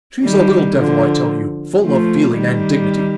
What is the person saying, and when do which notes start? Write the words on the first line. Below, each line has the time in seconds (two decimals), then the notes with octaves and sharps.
She's a little devil, I tell you, full of feeling and dignity....
0.24 D#3 G3
0.77 D3 F3
1.84 F3 A3
2.37 D#3 G3